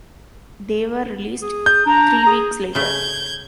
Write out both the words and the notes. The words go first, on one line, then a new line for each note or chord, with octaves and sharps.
They were released three weeks later.
G#4
G6
D4 A#5
G#4
C#3 A3 G6 G#6